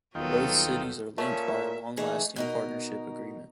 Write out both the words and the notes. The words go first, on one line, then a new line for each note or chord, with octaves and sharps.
Both cities are linked by a long-lasting partnership agreement.
D#1 D#3 F#3 B3 F4 A4 G5
A#2 A3 C#4 E5
E3 A3 D#4 G#4
B2 D#4 A#4